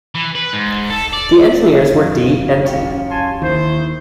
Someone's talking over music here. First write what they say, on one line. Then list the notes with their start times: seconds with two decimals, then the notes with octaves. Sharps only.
The engineers were D. and T.
0.15 E3
0.35 B4
0.53 G#2
0.90 A4
1.13 D5
1.94 F#2 D3 E3 F5
2.65 C#4 G4
3.09 G#5 A5 C6
3.42 D#2 D#3 E4 C5